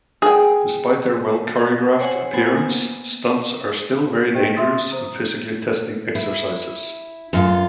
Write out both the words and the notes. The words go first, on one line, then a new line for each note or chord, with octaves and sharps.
Despite their well-choreographed appearance, stunts are still very dangerous and physically testing exercises.
G#4 G5
C5 C#5 F#5 G#5
A#3 B3 A#4 C5 F#5 G#5
G4 C5 D#5 G5
E5 C6 D#6 A6
C5 A#5 D#6
E4
F#2 F4